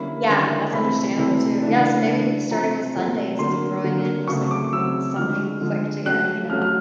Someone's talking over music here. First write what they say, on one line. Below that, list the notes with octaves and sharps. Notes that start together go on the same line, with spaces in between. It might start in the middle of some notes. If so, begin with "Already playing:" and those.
Yeah. That's understandable too. Yeah. So maybe starting with Sundays of throwing in just, like, something quick to get, you know,
Already playing: D3 G3 A#3 C#4 E4 B5
D3 G3 A#3 C#4 E4
C3 E3 A3 C4 B5
C3 E3 A3 C4
C#3 E3 A3 D4
C#3 E3 A3 D4
C3 F3 A3 C4 A#5
C3 F3 A3 C4
D3 F#3 A#3 C6
D3 F#3 A#3
C#3 F#3 A3 C4 C#6
D6
C#3 F#3 A3 C4 E6
D3 F3 G#3 F6
D3 F3 G#3
F#3 A3 C#4 F#6
F#3 A3 C#4 F6
F6